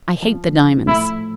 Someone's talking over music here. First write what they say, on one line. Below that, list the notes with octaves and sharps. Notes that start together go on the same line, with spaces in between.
I hate the diamonds.
F3
A2 A3 E4